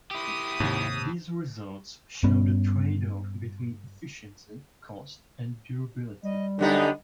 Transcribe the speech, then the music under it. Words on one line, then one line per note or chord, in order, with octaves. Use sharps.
These results show the trade-off between efficiency, cost, and durability.
E4 G4 D#6
D#2 G#2 C3
G2 B3 C#4
G3 D#5
F#2 D3 B3 D4 D#4 G4 B5